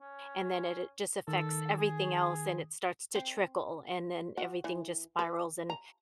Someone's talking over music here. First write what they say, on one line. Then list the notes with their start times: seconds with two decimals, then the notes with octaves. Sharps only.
And then it just affects everything else, and it starts to trickle, and then, everything just spirals and,
0.01 C#4
1.28 D#3 A4
1.77 G#4
3.15 C4
4.37 F#4
4.64 E3
5.19 B4
5.70 A#5